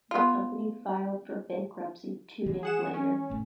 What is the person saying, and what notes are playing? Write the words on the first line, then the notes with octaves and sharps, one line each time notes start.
The company filed for bankruptcy two days later.
B3 F4
E3 F3 G#3
G#4 F#5 E7
C#4
F1 A2 A3